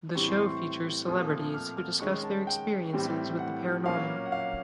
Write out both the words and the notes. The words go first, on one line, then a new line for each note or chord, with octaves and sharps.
The show features celebrities who discuss their experiences with the paranormal.
A2 E3 G3 C4 C#6
C6
C#6
A#2 F3 A3 C4 D#6
F6
F6
D#3 G#3 C#4 C#6
A5
G5
A2 E3 G3 C4
F#5
A#2 F#3 A#3 C#4 F5
F#5
F5